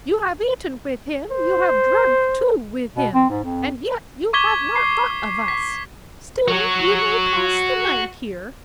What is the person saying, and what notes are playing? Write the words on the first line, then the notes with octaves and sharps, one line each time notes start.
"You have eaten with him, You have drunk, too, with him; And yet you have not thought of us; Still you may pass the night here!"
C5
B2
C4
G#2
F2
C#6 D6 G#6 B6 G7
C7
B6
F#4 C#5